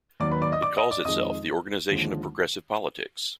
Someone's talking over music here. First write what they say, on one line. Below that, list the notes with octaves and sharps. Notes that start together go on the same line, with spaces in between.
It calls itself the organization of progressive politics.
D#2 D#3 F#3 D5 D6
B4 B5
D5 D6
D#5 D#6
D5 D6
D#5 D#6
D5 D6
F2 D#3 G#3 D#5 D#6
D#2 D3 F3 G#3